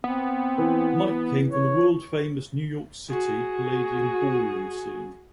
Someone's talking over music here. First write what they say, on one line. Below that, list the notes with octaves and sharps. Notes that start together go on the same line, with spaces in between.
Mike came from the world-famous New York City Palladium Ballroom scene.
B3 C4
E3
C#5
F#4 G#4